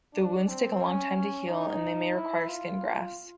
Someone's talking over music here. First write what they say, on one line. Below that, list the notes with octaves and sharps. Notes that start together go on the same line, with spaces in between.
The wounds take a long time to heal and they may require skin grafts.
D4
C4
C#4
C#4
D#4
E4
F4